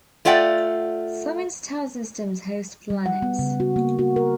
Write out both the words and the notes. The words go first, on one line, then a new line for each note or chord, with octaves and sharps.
Seven star systems host planets.
A3 F4 D5 F#5 G5
G3
F#5
B3
C#3
F#4
A#3
F#4
A#4